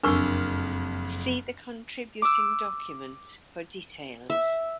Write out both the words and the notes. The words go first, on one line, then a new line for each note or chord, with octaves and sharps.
See the contributing document for details.
F#1 F2 D4 A#4 C#6 F6
D6 E6
E5